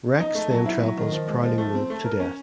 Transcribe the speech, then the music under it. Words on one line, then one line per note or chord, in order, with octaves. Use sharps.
Rex then tramples Prowling Wolf to death.
D#4
A3
F#3
E4
F#3
D#3
F3
G#3
F3
A3
C4
A3
A#4
C#4